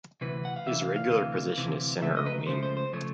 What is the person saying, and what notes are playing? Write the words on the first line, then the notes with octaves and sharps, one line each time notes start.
His regular position is centre or wing.
D2 C3 E3 B4
F#5
F5
D2 C3 E3 E5
F5
F5
D2 C3 E3
D2 C3 E3
C#2 C#3 F3 A3 E5
D#5
B4
A#4
C#2 C#3 F3 A3 C5
C5
C5
C#3 F3 A3 C#5